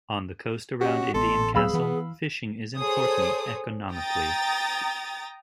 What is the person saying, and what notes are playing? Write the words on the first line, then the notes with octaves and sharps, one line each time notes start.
On the coast around Indian Castle, fishing is important economically.
C#4 F#4 G4 D#5
A1 B3 A4 C6
D1 F#3 B3 G#4 F5 B5 E6
E3 B3
G#4 A4 C5 C#5 D#6
G5 A#5 D#6 A6